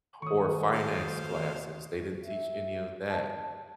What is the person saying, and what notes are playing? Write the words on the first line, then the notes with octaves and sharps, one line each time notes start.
or finance classes, they didn't teach any of that.
B2 D#3 A3 A4 C#5 C#6 D#6
C5 F5
E5
A5